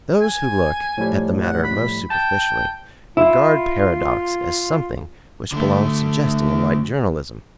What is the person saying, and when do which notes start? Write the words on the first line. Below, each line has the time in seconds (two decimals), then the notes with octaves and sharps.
Those who look at the matter most superficially regard paradox as something which belongs to jesting and light journalism.
0.21 G#5
0.98 A2 F3 G3
1.43 F#5
1.64 B5
2.10 G5 A5
3.17 E4 F4
5.52 D3 A3